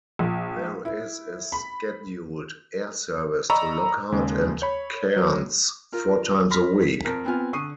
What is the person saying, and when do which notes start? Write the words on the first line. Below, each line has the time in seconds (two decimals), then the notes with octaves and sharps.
There is a scheduled air service to Lockhart and Cairns four times a week.
0.19 A#1
0.85 E4
1.52 B5
3.50 D5 D#5 A#5 B5 C#6 E6
4.12 D#2 C#3 G#3
4.62 C#5 B5
5.16 F#3
5.92 F4 A#4
6.50 B5 C6 F6 A#6 B6
6.82 B6
7.05 F2 A#4
7.25 B3 C4 F4 G#5 F6
7.53 D3 C#6 D#6 C7 D#7